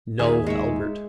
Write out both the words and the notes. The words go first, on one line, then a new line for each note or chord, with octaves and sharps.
No, Halbert!
D#2 D#4 G#4 E5 G#5
G#3 D#4 C#5 E5